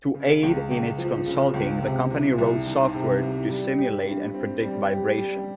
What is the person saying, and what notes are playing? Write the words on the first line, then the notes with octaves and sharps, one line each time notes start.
To aid in its consulting, the company wrote software to simulate and predict vibration.
C#3
C#2
C#2
F3
C#3
C#2
C3
C2
C2
D#3
C3
C2
G3
G4
G2
C4
G3
G4
G3